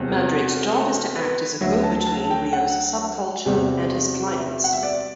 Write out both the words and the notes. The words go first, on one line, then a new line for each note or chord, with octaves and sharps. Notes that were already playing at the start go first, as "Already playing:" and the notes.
Mandrake's job is to act as a go-between Rio's subculture and his clients.
Already playing: E1 E2 C3
A4
B4
D2 D3 F#3 E5
A5
A5
G5
F#5
E1 E2 C3 G3
E5
F#5
E5
D5